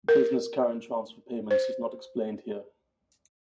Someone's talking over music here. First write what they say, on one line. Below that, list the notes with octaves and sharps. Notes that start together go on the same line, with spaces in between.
Business current transfer payments is not explained here.
A#4
C5